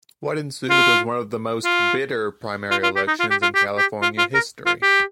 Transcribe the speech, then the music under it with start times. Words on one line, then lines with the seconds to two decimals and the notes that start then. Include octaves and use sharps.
What ensued was one of the most bitter primary elections in California history.
0.70 F4
1.65 F4
2.71 F4
2.83 F4
2.96 G4
3.07 D#4
3.20 F4
3.30 G4
3.42 F4
3.55 G4
3.78 G4
4.02 F4
4.18 F4
4.34 A#4
4.66 F4
4.82 G4